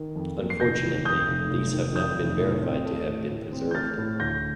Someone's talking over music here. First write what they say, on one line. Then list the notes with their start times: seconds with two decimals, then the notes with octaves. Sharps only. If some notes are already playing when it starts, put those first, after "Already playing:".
Unfortunately, these have not been verified to have been preserved.
Already playing: D#3
0.16 F2
0.38 A#3
0.50 C7
0.60 F1 G6 A#6
0.82 D#3
1.05 F2 D#6 G6
1.28 F1
1.50 F1
1.73 D#3
1.95 F2 D#6 G6
2.18 F1
2.41 A2
2.63 C4
2.85 A3
3.08 A2
3.30 A2
3.53 C4
3.71 G6
3.75 A3 F6 A6
3.98 A2
4.20 D2 G6 A#6